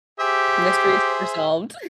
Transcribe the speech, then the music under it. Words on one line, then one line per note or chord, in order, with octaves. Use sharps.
Mysteries resolved.
G4 G#4 C5 E5